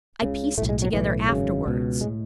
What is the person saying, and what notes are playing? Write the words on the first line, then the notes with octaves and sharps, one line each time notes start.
I pieced it together afterwards.
C#2 C#3
B1 A2 A3
G#3
F#3
B1 A2 E3
G#1 F#2 C#3
C#2 B2
A2 G#3